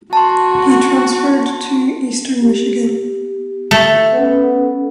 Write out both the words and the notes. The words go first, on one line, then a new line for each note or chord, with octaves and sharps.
He transferred to Eastern Michigan.
F#4 A5 C6
B3 G4
A3
B3 C#4 A4